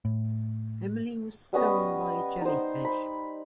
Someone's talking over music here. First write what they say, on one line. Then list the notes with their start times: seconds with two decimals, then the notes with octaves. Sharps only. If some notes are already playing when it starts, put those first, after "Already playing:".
Emily was stung by a jellyfish.
0.05 A2
1.53 G3 B3 C#4 D#5
2.41 D#4 C5
2.85 B5